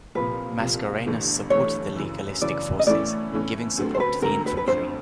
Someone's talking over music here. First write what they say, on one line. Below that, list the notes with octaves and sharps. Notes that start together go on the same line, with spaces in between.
Mascarenhas supported the legalistic forces, giving support to the Infantry.
C2 A#2 F3 B4
C2 A#2 F3
G1 G2 E3 A3
G1 G2 E3 A3 C#5
F#2 C#3 E3
F#2 C#3 E3 D5
D#5
A2 E3 A3 C#4 E4 D5
A2 E3 A3 C#4 E4
D2 D3 F#3 A3 C4
C5
B4
D2 D3 F#3 A3 C4 A#4
B4
B4
G1 F2 D3 C5